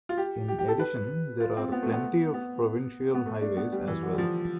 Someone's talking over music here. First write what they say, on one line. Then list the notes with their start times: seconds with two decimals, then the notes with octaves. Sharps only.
In addition, there are plenty of provincial highways as well.
0.09 F4
0.18 G4
0.48 G4
0.59 G4
0.68 A4
0.80 B4
1.40 F4
1.57 C4
1.72 B3
1.83 A3
1.92 B3
2.34 B3
3.15 B3
3.26 A3
3.41 D4
3.57 B3
3.72 G3
3.88 E3
4.03 D3
4.12 G3
4.18 F3